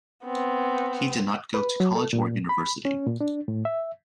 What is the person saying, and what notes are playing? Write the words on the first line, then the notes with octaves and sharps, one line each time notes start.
He did not go to college or university.
B3 C4
B4
F#3
A4
A#2
B5
C#4
A#2
D4
A2
E5